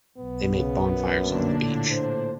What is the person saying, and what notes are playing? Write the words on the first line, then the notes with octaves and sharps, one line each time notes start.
They make bonfires on the beach.
B1 B3
C#3
F#2
A#2 D3 D4
A2
C5